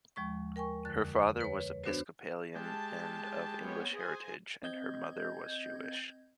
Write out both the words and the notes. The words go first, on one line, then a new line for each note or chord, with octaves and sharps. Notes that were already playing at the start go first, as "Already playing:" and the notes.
Her father was Episcopalian and of English heritage, and her mother was Jewish.
D#2 F3 G#3 C#6
A#4 G5 G#5 C#6
F2 D3 F#6 A6
B4 C#5
B3 D4 F#4 B4 C5
G#3 G4 A5
B3 C#5
G#4 C5 G#5
C4 D#5 G6 G#6